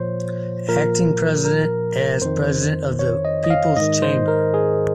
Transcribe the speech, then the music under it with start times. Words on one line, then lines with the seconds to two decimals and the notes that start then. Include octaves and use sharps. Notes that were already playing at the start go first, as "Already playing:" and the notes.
Acting President, as President of the People's Chamber.
Already playing: A#2 F3 C5 C#5
0.68 A#2 F3 A#4
1.45 A#4
2.22 F2 D#3 C5
2.99 C#5
3.25 D#5
3.44 D#5
3.50 F5
3.76 G#2 D#3 D#5
4.02 C5
4.28 A#4
4.54 G#4